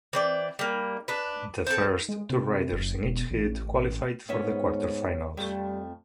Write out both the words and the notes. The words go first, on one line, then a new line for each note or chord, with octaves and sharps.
The first two riders in each heat qualified for the quarterfinals.
E3 C4 D5
G3 A#3
D4 B4
C4 A4
G#3
C3
F#1
E1
A1
G#2 B3 C#4 E5
F2 G3 A3